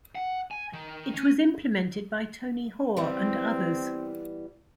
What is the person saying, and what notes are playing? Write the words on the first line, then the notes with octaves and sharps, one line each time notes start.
It was implemented by Tony Hoare and others.
F#5
G#5
D#3
C#4
E3 G3 B3 C4